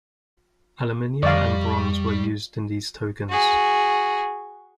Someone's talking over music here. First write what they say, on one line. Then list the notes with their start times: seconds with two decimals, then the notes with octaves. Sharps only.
Aluminium and bronze were used in these tokens.
1.23 F2 G3 D5 D#5 F5 C#6
3.29 F#4 G#4